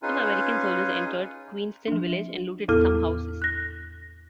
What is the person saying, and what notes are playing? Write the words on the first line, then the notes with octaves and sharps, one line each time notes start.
Some American soldiers entered Queenston village and looted some houses.
C#4 D#4 F4 G#4 B4 G#5
F3 D4
E2 A2 B3 E4 A4 F6
F#6 A#6